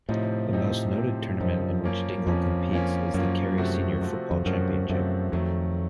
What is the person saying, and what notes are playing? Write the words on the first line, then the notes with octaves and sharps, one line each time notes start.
The most noted tournament in which Dingle competes is the Kerry Senior Football Championship.
A2 C3 F3 C4 D#4
C3 F3 C4 D#4
C3 F3 C4 D#4
F#2 C3 F3 C4 D#4
F3 A#3 C#4
F2 F3 A#3 C#4
F3 A#3 C#4
F#2 F3 A#3 C#4
C3 F3 A3 C4 F#4
C3 F3 A3 C4 F#4
F2
F#2 C3 F3 A3 C4 F#4
F#2 C3 F3 A3 C4 F#4
F2 D#3 F#3 A3